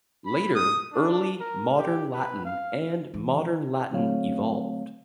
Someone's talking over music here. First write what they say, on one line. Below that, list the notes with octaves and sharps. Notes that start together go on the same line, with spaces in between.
Later, Early Modern Latin and Modern Latin evolved.
B5
D#6
D4
A#4
G4
B4
F5
E3
D3 F#3 A3 C4 C#5 F5